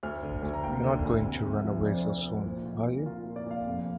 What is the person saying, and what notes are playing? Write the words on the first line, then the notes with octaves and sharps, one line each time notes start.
You are not going to run away so soon, are you?
D2 F6
D3
D2
A#5
A#3 G5
D3
D2
C3
F1
F3
F2 D5
C5
F3 A#4
C5
F1
A#2
F4
A#2
F4 A#4
A#2
D5
A#2 F5
F1